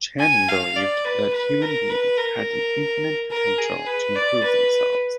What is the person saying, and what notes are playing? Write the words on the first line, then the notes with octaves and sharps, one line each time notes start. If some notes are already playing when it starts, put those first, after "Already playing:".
Channing believed that human beings had an infinite potential to improve themselves.
G#5
F5
D5
B4
B4
A#4
B4
A#4
A#4
G#4
B4
D5
B4